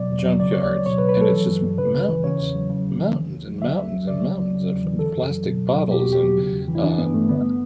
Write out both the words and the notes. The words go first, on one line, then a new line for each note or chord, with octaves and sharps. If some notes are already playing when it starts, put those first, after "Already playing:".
junkyards, and it's just m mountains. Mountains and mountains and mountains of p plastic bottles and, um, uh uh,
Already playing: B2 F#3 D5
E2
F#3
C#3 D5
D2 C#5
D5
F#3
B2 C#5
B4
C#2
B4
F#3 A4
E3
G2
G2
C#3 B4
C#2
E3
C#3 C#5
E2
F#3
C#3
D2
E3
D3
D2
F#3
D3 E5
D2
F#3
C#3 D5
C#2
F#3
C#3
E2
E3
D3 A4
F#2
F#3
B2
C#2
F#3
B2 G4
F#4
E2
G4
F#3
C#3
E2
E3
E4
E3 D4
G2 B3
G2 A3
D3 B3